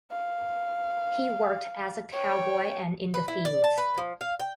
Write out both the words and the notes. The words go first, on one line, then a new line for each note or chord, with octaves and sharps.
He worked as a cowboy and in the fields.
F5
C#5 G5
B4
E4
D5
A5
B4
F3
F5
G5